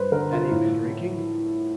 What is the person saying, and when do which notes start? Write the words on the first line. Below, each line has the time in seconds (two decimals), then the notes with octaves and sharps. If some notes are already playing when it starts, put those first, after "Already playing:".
"Had he been drinking?"
Already playing: G2 B4 C5
0.12 D3 A#4
0.32 F4
0.51 A2